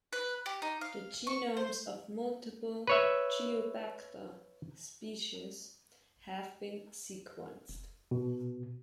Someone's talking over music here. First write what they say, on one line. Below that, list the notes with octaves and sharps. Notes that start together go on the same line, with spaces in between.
The genomes of multiple "Geobacter" species have been sequenced.
B4
G4
D#4
F5
C#6
C5
B4 C#5 E5
B2